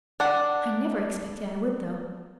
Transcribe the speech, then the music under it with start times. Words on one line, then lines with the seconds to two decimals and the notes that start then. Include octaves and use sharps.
I never expected I would, though.
0.20 D4 F#5